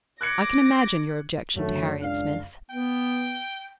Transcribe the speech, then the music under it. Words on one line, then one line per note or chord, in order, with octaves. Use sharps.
I can imagine your objection to Harriet Smith.
D6 F#6 G#6 A#6 C#7
F#2 D3 F#3 A3
C#2 D4 F5
B3 G5